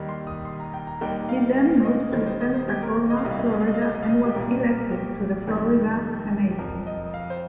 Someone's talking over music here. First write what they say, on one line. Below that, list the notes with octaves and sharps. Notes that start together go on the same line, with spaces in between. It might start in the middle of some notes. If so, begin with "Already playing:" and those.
He then moved to Pensacola, Florida and was elected to the Florida Senate.
Already playing: D#2 D#3 G3
C6
D#6
C6
A#5
G5
A#5
D#2 D#3 G3 G5
F5
F5
C5
D#5
D#2 D#3 G3 C5
C5
D#5
C5
G4
A#4
D#5
F5
C2 C3 G3 D#5
F5
D#5
F5
D#5
F5
D#5
F5
D#5
F5
D#5
F5
D#5
G4
C2 A#2 G3 A#4
A#4
G4
F2 D#3 G3
G4
F2 F3 A#4
D#5
F5
C5